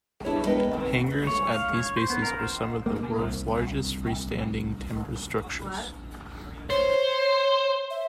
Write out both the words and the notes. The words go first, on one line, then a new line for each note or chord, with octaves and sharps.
Hangars at these bases are some of the world's largest freestanding timber structures.
B3 D4 E4 G#4 C#5
G#3 B3 A#4 B4 D#5 G5
D#2 C4 A#4
C#5
F5
C#5
C5
B3
A#4
C5
A#3
C2
C5 C#5
E5